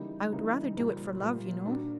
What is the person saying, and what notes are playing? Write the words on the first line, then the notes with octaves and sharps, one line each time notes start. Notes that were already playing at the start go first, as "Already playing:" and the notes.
"I would rather do it for love, you know."
Already playing: C#3 E3 G3 A#3 D#4
C#3 E3 G3 A#3 D#4
A#2 G3 A#3
A#2 G3 A#3
A#3 D4 F#4 A#4